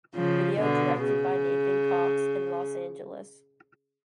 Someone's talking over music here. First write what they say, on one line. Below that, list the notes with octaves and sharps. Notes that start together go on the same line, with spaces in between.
Video directed by Nathan Cox in Los Angeles.
C#3 F3
B2 D3
C#3